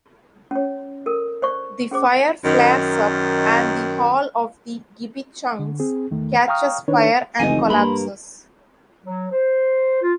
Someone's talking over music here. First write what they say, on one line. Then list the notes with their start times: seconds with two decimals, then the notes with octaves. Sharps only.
The fire flares up, and the hall of the Gibichungs catches fire and collapses.
0.51 C#4 C#5
1.06 A4 A#4
1.42 C5 D5 C#6
1.91 C#4 G#4 C5 D6
2.45 F#2 D#3
5.59 D3
5.80 C4 G#4
6.11 E2 D#3 A3
6.48 F5 G5 A#5 C#6 D#6 F6
6.88 D#3 D4 D#4 B4 C#5
7.40 F1 C#2 E3 D#4 D#5 G#5
7.70 G2 A#3 B5 C6
9.04 F#3
9.31 C5
10.02 F4